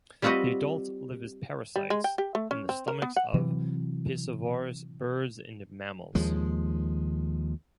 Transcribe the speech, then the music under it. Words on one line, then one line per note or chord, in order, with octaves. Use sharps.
The adults live as parasites in the stomachs of piscivorous birds and mammals.
G3 C4 F4 F#4 B4 D#5
G3
G#3
G5
G4
A3
C#4
C4
A#4
B3
F#5
C3 E3 F#3 C4
D#2 F3 G#3